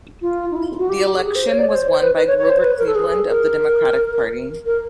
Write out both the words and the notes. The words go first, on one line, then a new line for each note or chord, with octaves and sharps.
The election was won by Grover Cleveland of the Democratic Party.
F4
D#4
E4
F#4
G4
A4
G#4
C5
C#5
D5
C#5
C5
C5
B4
B4
C#5
C#5
C5
B4
A#4
A4
G#4
A#4
A#4